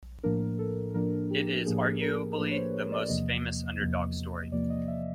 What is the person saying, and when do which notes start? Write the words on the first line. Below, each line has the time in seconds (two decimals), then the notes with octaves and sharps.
It is arguably the most famous underdog story.
0.23 A2 F3 A#3 D4 A#4
0.59 A4
0.94 A2 F3 A#3 D4 A#4
1.31 G4
1.66 A2 F3 A#3 D4 G#4
2.01 A#4
2.37 A2 F3 A#3 D4 B4
2.51 C#5
2.55 C5
2.74 C#5
2.92 D5
3.09 E2 C3 F3 A#3 D#5
3.81 E2 C3 F3 A#3
4.52 E2 C3 F3 A#3 D5
4.70 D#5
4.88 E5